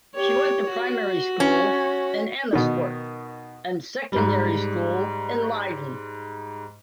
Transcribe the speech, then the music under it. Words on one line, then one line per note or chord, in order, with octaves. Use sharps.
She went to primary school in Amersfoort and secondary school in Leiden.
G4 C#5
F#4
C#4
B2 D#3
G#2 G3